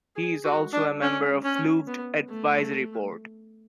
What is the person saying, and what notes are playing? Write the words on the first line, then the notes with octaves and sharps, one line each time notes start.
He is also a member of Flooved advisory board.
G#4
F#4
D4
C#4
C#4
B3
A3